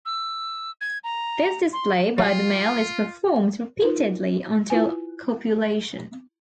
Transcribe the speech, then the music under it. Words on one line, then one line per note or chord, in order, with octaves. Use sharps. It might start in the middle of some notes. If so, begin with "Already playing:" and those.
This display by the male is performed repeatedly until copulation.
E6
G#6
A#5
C6
F#3 F4
D#4 F4 A#4
E4 F4 B4 G#5